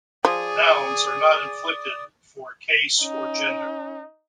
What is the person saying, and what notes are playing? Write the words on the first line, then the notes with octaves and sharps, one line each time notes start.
Nouns are not inflected for case or gender.
F3 G#4 D5 D#6
C#4 D#4